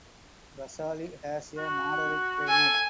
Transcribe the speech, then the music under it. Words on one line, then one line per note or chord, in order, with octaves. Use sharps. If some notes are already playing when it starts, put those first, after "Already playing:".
Kasauli has a moderate climate.
F#4
A4 G#5